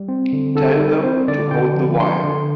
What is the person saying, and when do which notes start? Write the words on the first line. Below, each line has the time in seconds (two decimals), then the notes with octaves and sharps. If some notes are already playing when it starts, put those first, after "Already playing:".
Tell them to hold the wire.
Already playing: G3
0.08 C4
0.33 D3
0.55 D3 A4
0.79 G3
1.03 C4 C5
1.28 D3 D5
1.51 D3 G5
1.75 F3
2.00 D4 C6
2.23 D3